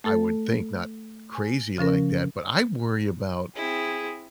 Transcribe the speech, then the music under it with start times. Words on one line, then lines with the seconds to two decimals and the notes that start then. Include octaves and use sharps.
I would think not crazy like that, but I worry about,
0.04 A3 A4
1.35 G#5
1.78 C#3 F3 C#4 A#4
3.56 C4 E4 G#4